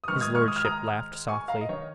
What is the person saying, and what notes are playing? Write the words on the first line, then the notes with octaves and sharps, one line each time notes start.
His lordship laughed softly.
D#6
G#2 D#3 C#6 F6
D#6 G#6
C#6 F6
D#6
F6
A#5 D#6
G#5 C#6
F5 A#5
D#5
D#3 C#5